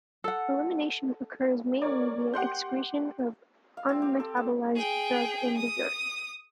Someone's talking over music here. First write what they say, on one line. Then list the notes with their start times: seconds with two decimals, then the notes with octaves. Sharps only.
Elimination occurs mainly via excretion of unmetabolized drug in the urine.
0.24 A4 F#5
1.82 A#4 C#5 D5
2.34 G4 F#5 C6 G6
3.77 F5
3.89 C4
4.02 G4
4.20 A4
4.37 A4
4.76 G#4 G5
5.57 D#6